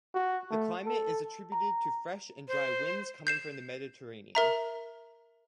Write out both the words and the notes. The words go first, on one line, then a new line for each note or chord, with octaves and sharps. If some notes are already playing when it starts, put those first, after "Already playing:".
The climate is attributed to fresh and dry winds coming from the Mediterranean.
F#4
A3
A4
A#5
C5
G6 C7 E7
A#4 E5 A#5